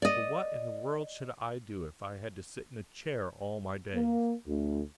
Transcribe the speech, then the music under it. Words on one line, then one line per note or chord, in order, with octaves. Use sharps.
But what in the world should I do if I had to sit in a chair all my days?
D5 D#5
A#3
D2